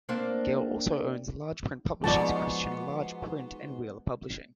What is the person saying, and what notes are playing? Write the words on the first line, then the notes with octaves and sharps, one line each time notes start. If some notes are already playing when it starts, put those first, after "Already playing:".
Gale also owns large print publishers Christian Large Print and Wheeler Publishing.
A#3 C4 D4
G#2 F3 G#3 B3 F#4 D5 A5